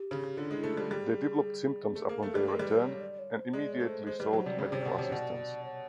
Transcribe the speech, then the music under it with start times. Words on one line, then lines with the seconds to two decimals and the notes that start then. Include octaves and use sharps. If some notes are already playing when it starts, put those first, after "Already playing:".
They developed symptoms upon their return and immediately sought medical assistance.
Already playing: G4
0.11 C#3
0.37 D3 F4
0.50 G#3 D#4
0.55 E4
0.64 A3
0.73 G3 F4
0.91 G3 G#4
1.95 A3
2.09 A#3
2.23 A3
2.35 G3
2.48 G#3 A#4
2.59 G3
2.65 B4
2.84 C#5
3.01 D5
3.19 C#5
3.36 C5
3.53 G#3 D5
3.72 C#5
3.80 A3
3.88 C5
4.07 G#3 C5
4.19 G3 B4
4.32 F#3 C5
4.46 C3 D5
4.59 C#3 C#5
4.66 D5
4.72 C3 C#5
4.81 D5
4.85 B2
4.88 C#5
4.95 D5
4.98 C3
5.03 C#5
5.12 B2 D5
5.64 C#5